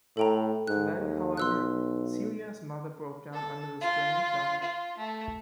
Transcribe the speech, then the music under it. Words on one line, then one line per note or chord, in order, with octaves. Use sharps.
Then, however, Celia's mother broke down under the strain and died.
A2 A4 G5 A#5
G#2 F#6
D#2
B1 C6 E6 F#6
A4
F4
F4
A3